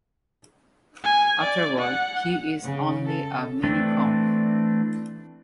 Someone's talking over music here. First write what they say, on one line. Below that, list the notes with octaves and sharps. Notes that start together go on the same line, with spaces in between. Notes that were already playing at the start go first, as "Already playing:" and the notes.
After all, he's only a Mini-Con.
G#5
D5
F#5
C#3
A4
E3 A3 C4 D4